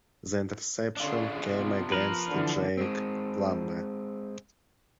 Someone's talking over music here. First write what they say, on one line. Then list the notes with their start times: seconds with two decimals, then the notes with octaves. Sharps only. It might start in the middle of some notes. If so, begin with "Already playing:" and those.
The interception came against Jake Plummer.
0.97 D3 C#4 D4 F4 G#4
1.44 C3 B3
1.92 F3 A#4 B4
2.30 D3 E3 B3
2.77 G#3 C4